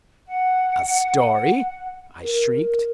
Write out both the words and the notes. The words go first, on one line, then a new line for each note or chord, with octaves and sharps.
"A story!" I shrieked.
F#5
A#4